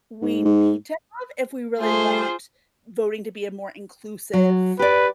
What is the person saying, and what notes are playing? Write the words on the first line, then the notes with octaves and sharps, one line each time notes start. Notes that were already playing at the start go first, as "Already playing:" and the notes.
we need to have if we really want voting to be a more inclusive
G#2
G#2
A3 F4 G#4 C5
F#3
G4 B4 D5